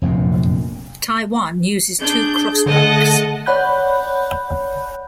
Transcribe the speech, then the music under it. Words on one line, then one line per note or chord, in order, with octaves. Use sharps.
Taiwan uses two crossbucks.
F1 A#1 F#2 C3
D4 G#4 G6
D3 A3 D#5 F#5 A5
C#5 D5 F#5 B5 F#6 G6